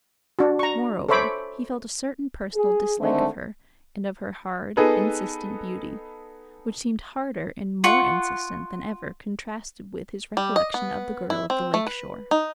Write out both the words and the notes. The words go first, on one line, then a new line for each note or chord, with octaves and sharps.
Moreover, he felt a certain personal dislike of her and of her hard, insistent beauty, which seemed harder and more insistent than ever contrasted with his recollection of the girl of the lake shore.
D4 F#4
A#5 C#6
A4 C5 C#5 E5 B5 D6
G#4
D3 D#3 G#3 A3 C4
B3 D#4 G#4 A4 B4
F4 F#5 C#6
G3
D#5
B3
E4
C4
A3
B4
D#4